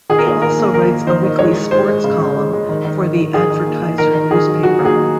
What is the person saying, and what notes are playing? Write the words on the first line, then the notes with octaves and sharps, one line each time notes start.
He also writes a weekly sports column for the Advertiser Newspaper.
D#3 G#4
A#4
A#3 G#4
D#3 A#4
A#3
D#3 A#4
A#3
D#3 C5
D#3
G#3 C#5
G#3
G#3 C5
G#3
C#3
C#3
G#3
G#3
D#3
D#3
D#3
D#3
D#3 G#4
D#3
A#3
D#3
D#3 A#4
D#3
D#3 G#4
F#3
F#3 F#4
A#3
G#4
D#3